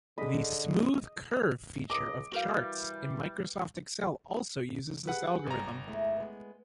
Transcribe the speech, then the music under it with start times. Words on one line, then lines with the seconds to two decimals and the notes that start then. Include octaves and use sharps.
The "smooth curve" feature of charts in Microsoft Excel also uses this algorithm.
0.18 D3 G#4 D#5 B5
1.90 C#2 A#4 D#5 D6
2.32 E3 G3 F#4 A#4 F5
5.07 G4 G#4 B4 F#5
5.46 G1 A#5
5.87 G#3 A3 E4
6.17 G#3 B3